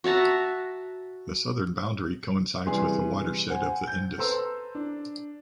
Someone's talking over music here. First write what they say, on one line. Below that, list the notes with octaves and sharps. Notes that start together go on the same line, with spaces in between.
The southern boundary coincides with the watershed of the Indus.
F#4 E5 A5 A#5
C3 E3 G3 G#4 C6
C5 F#5 G#5
G6
A4 B4 C5 A#5 C6 E6
D4